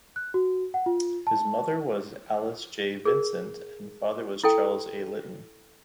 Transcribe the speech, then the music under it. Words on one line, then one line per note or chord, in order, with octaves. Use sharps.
His mother was Alice J. Vincent and father was Charles A. Litton.
F#6
F#4
F#5
F4
A5
G#4 A#4
E4 A4 G5